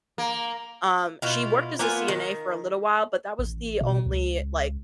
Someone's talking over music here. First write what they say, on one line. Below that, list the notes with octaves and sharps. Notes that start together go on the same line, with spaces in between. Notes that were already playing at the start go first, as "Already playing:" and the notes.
um, she worked as a CNA for a little while, but that was the only, like,
A#3
B2 E4 F4
A#3 B3 F4 G#5
D#3
A1
B2
C#2